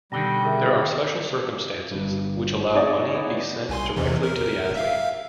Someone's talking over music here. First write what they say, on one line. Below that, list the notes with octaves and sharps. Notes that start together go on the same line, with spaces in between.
There are special circumstances which allow money be sent directly to the athlete.
B2 D3 D#3 G3 A#6 G7
G#4 A#4 E5
G1 G2
D#4 G#4 C#5 D5
B3 E4
C2 G#5 C6
E2 C3 E3
A#4
E5 F5